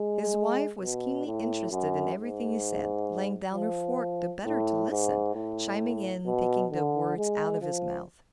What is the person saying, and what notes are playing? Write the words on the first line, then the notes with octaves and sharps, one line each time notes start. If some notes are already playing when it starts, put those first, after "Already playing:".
His wife was keenly interested in everything he said, laying down her fork the better to listen, chiming in, taking the words out of his mouth.
Already playing: G#3
B2
A2
F#2
G#2
F3
A2
G#2
A2
B2
D3
G#3
F3